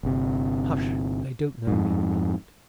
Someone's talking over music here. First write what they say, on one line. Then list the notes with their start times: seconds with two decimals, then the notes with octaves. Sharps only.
"Hush, they don't know," he replied.
0.03 G1 C3
1.67 F2 G#2